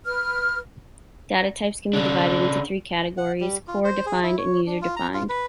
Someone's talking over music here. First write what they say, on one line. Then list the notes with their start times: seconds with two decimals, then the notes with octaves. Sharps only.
Data types can be divided into three categories: core, defined, and user-defined.
0.06 B4 F6
1.93 C#3 D4
3.17 F#5
3.40 G3
3.68 F4
3.85 C5
4.06 G#4
4.23 E4
4.38 C#5
4.66 D4
4.82 F4
4.96 A#5
5.14 F4
5.29 B4